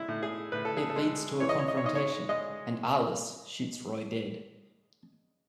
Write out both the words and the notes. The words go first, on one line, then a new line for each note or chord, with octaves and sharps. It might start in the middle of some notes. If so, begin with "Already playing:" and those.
It leads to a confrontation, and Arlis shoots Roy dead.
Already playing: G#3 E4
A2
G#4
A2 B4
A4
G#4
A4
G#3
E3 C#5
D#5
C#5
D#5
C#5
G#2 D#5
C#5
G#3 D#5